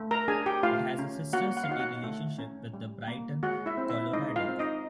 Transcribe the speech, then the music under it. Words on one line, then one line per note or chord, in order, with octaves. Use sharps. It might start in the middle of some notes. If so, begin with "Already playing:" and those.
It has a sister city relationship with Brighton, Colorado.
Already playing: A3
A#4 A#5
D4 G#4 G#5
G4 G5
A3 F4 F5
C#4
A#3 F#4 F#5
F#5
F5
D#4 F#4 F#5
F#4 F#5
A3
C#4
G3
A#3
G#3 F#4 F#5
E4 E5
C4
E4 E5
G#3 D#4 D#5
F4 F5
C4
D#4 D#5